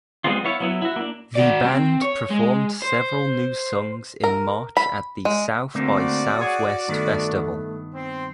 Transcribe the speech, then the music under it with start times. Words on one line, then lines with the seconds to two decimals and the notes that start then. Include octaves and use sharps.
The band performed several new songs in March at the South by Southwest festival.
0.24 G3 G#3 B3 C4 F4
0.44 B3 E4 C#5 F5
0.60 F#3 B3 E4
0.82 E4 F#4
0.96 A#3 D4
1.36 F#4 D5
1.65 C4
2.02 C#5
2.31 G#3
2.82 C5
4.24 A#4
4.77 B5
5.25 G#3
5.75 D3 A3 A#3 C4 F#4 D5
6.39 G#4 C#5 F#5
6.88 G2 D#3 A3 B3
7.95 C4 C6